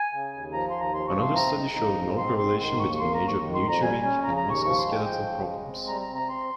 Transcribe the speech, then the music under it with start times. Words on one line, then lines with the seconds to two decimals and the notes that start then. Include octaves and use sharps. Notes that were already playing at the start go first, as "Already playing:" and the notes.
Another study showed no correlation between age of neutering and musculoskeletal problems.
Already playing: G#5
0.13 C#3
0.33 D#2
0.53 F3 A#5
0.70 D#2 C6
0.81 A#5
0.94 F3 C6
1.08 C#6
1.15 C3
1.22 C6
1.35 C4 A#5
1.57 D#4
1.77 F3
1.97 G#2
2.17 C4 C6
2.38 G#2 C6
2.59 D#3 C6
2.79 D#2 C#6
2.95 C#6
3.00 A#3 C6
3.14 A#5
3.21 D#2
3.28 C#6
3.41 D#3
3.55 C6
3.62 F2
3.69 A#5
3.82 G3 G#5
4.03 C#4
4.23 C#3 A#5
4.37 A#5
4.44 D#2
4.50 C#6
4.64 F3 C#6
4.78 C6
4.85 G#3
4.92 G5
5.05 F3 G5
5.26 C#3
5.46 G#3
5.67 C4
5.88 G3 A#5
6.01 A#5
6.08 C3
6.15 A#5
6.29 C4 C6